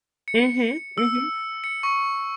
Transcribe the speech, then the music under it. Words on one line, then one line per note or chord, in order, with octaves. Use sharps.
Mhm, mhm.
C#7
E6
C#7
C#6